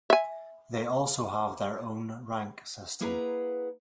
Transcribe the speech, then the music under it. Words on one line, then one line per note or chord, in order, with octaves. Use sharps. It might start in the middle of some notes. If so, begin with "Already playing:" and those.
They also have their own rank system.
E5 G#5
A#3 E4 G#4 B4 F#5 A#5